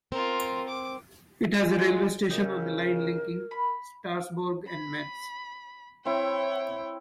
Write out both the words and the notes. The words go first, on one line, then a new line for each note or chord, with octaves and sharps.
It has a railway station on the line linking Strasbourg and Metz.
C4 F4 A#4
D6
G#3 F4
C#3 D#4 G4 A#4 D#6
B5
B5
C4 E4 C#5 G5